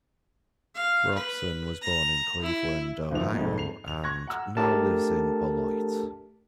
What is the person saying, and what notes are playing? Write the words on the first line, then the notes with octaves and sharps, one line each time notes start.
Robson was born in Cleveland, Ohio and now lives in Beloit.
F5
B4
A#5
E4
F#1 C2 D#3 F3 F7
F2 G#2
C7 F7
F7
C#6 F#6 G#6 A#6
F#5 A#5 E6
A3 D4 G4 A4 A#4 A5